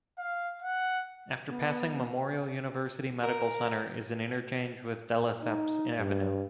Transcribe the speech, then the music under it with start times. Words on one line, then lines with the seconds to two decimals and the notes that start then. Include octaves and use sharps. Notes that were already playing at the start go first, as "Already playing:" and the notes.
After passing Memorial University Medical Center is an interchange with Delesseps Avenue.
0.18 F5
0.62 F#5
1.47 B3
3.23 A#4
5.43 D#4
5.99 G2